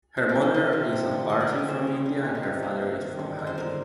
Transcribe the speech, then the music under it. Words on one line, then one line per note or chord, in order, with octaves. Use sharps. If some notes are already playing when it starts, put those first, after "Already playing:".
Her mother is a Parsi from India and her father is from Haiti.
F3 C5
D5
F3
D#5
C3 D#5
C3
F3
D3
D3 D#5
D5
F3 G4
G#4
A#3 C5
G3 A#4
D3 G#4
D3 G4
D#4
C3 F4
A#3
C3
D#3
D3
G#3
C5
D3 A#4